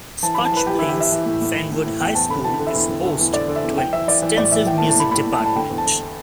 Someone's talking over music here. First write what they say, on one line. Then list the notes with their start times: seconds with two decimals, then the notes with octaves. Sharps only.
Scotch Plains-Fanwood High School is host to an extensive music department.
0.23 E3 A5
0.35 E3 B5
0.45 A5
0.52 E3 B4
0.67 E3 G4
0.79 E3 E4
0.89 G4
0.97 E3 E5
1.12 E3
1.26 A2
1.41 A2
1.57 E3
1.71 A2
1.86 A2
2.00 E2 G5
2.15 E2 A5
2.30 D3 B5
2.44 E2 A5
2.59 D3
2.67 E5
2.74 E2
2.89 D3
3.04 D3
3.19 E2
3.33 D3 D5
3.48 D3
3.56 E5
3.63 E2
3.78 E3 G5
3.93 E3 E5
4.07 E3 D5
4.22 E3
4.37 A2 D5
4.52 E3 E5
4.66 E3 G5
4.78 A5
4.82 A2
4.89 A5
4.96 A2 B5
5.11 A2 B5
5.26 A2
5.33 A5
5.40 A2
5.46 A5
5.56 D3 G5
5.70 E2
5.78 A5
5.85 D3